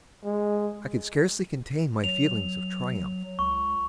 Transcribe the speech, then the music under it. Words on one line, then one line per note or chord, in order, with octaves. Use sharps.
I could scarcely contain my feelings of triumph.
G#3
F#3 F7
C#2 C#6